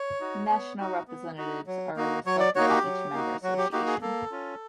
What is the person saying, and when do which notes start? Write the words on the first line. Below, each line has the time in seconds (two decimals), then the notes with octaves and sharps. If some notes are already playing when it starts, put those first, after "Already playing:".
National Representatives are selected by each member association.
Already playing: C#5
0.21 D#4 F#4
0.50 B3
0.79 D#4 F#4
1.08 B3
1.38 D#4 F#4
1.67 F#3
1.96 A#3 D#4 F#4
2.26 F#3 C#5
2.40 D5
2.55 A#3 D#4 F#4 C#5
2.69 G4
2.84 F#3
3.13 A#3 D#4 F#4
3.43 F#3 F#4
3.58 G4
3.72 A#3 D#4 F#4 G4
3.87 G#4
4.01 A#3 A4
4.31 C#4 F4